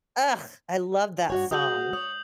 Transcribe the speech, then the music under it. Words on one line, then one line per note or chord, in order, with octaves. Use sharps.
Ugh! I love that song.
G2 F#4 C#5
F#4 G#4 D#6 G6 F#7
C#5 D#6